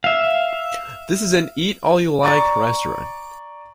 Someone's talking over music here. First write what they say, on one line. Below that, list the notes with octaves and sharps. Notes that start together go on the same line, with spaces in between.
This is an Eat All You Like restaurant.
E5 F5
D5 A#5 C#6 A6